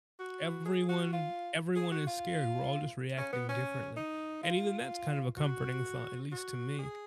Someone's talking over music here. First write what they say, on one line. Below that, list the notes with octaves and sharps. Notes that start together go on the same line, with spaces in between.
Everyone everyone is scared, we're all just reacting differently, and even that's kind of a comforting thought, at least to me,
F#4
G#4
F#4
F4
G#4
F#4
F4
C#4
B3
C#4
D#4
F4
F#4
F#4
G#4